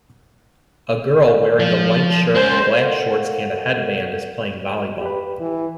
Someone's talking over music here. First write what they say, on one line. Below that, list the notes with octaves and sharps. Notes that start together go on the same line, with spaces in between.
A girl wearing a white shirt, black shorts, and a headband is playing volleyball.
F3
G#3 C#4 C5
A4 A#4 C5 D5 F5 F#5
G4 B4
E3